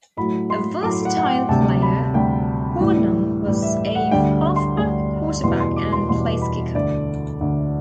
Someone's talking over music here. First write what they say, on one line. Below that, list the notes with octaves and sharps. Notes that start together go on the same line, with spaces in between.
A versatile player, Hornung was a halfback, quarterback, and placekicker.
A2 F#3 A3 B5
C6
A2 F#3 A3 D6
F#5
F#5
G5
D2 C3 G3 A5
B5
D2 C3 G3 G5
A2 E3 G3
A2 E3 G3
E5
F#5
D2 D3 G3 G5
C6
D2 D3 G3
E2 B2 G3 C6
C6
D6
C6
E2 B2 G3 C6
B5
D2 D3 A3 D5
D2 D3 A3